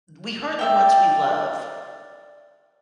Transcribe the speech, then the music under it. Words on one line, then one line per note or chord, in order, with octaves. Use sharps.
we hurt the ones we love,
D5 E5 G5